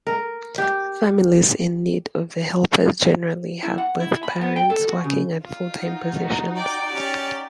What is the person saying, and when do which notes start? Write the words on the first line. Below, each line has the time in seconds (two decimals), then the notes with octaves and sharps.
Families in need of the helpers generally have both parents working at full-time positions.
0.07 A#4
0.58 G4
3.63 E4
3.78 F#5
4.00 E4
4.23 B5
4.41 B3
4.56 G5
4.70 A4
4.87 F#4
5.04 C#3
5.42 F4
5.72 D#4 F#4
6.56 D5 G5 D6
6.91 C#4 G4 A6